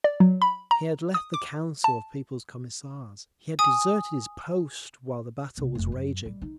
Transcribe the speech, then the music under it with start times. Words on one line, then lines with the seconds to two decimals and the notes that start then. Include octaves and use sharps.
He had left the Council of People's Commissars; he had deserted his post while the battle was raging.
0.04 D5
0.20 F#3
0.42 B5
0.71 A#5
1.14 D#6
1.34 D6
1.84 A5
3.59 G#5 D#6
5.57 A#1 C3
5.75 F1 A3
5.92 F#2
6.26 G3
6.42 D#4